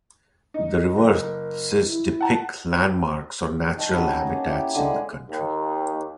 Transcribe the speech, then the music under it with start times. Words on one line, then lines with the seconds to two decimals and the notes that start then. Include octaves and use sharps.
The reverses depict landmarks or natural habitats in the country.
0.54 D#4
0.98 F#1 A#4
1.85 E4
2.21 F#5 A5
3.78 D#3 D#4 A5
3.94 C#4 F#4 G5 B5
4.09 G#5 A#5
4.26 A#3 C#4 G#4 A4
4.46 E4 G4
4.75 D3 G#3 G#4
5.30 D#2